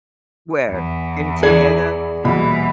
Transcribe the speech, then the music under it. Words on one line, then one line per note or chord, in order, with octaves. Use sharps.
Where? In San Diego?
E2
E3 G#4 D5 G#6
D#1 B2 E3 B5